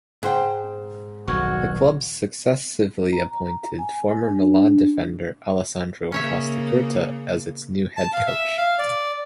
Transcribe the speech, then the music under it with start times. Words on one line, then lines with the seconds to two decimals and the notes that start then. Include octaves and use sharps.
The club successively appointed former Milan defender Alessandro Costacurta as its new head coach.
0.23 G#2 C5 G5
1.28 D#1 B1 F#4 C#6 F6 G#6
3.13 A#5
3.79 G#5
4.29 D4
6.12 C#3 A#3 C#4 C#5 E5
7.97 A5
8.13 F5
8.26 E5
8.58 F5
8.79 D5